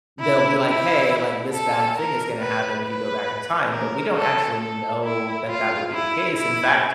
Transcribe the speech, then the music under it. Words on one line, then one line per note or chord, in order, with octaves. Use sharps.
they'll be like, "Hey," like, "this bad thing is gonna happen if you go back in time," but we don't actually know that that would be the case. In fact,
E4
E4
A4
A#4
B4
B4
A#4
A4
A4
E4
F4
E4
E4